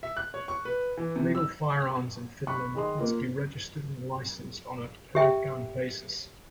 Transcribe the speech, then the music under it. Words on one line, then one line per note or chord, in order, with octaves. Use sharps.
Legal firearms in Finland must be registered and licensed on a per-gun basis.
E5
F#6
C#5
C#6
B4
E3
C3
E6
B5 C#6 F#6
D#3 G#4 D#5 C6
A#3 F4
G4 E5 G5